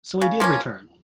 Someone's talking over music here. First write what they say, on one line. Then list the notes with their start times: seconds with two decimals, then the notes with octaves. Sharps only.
So he did return!
0.21 C#3
0.40 F3 A#3 C#4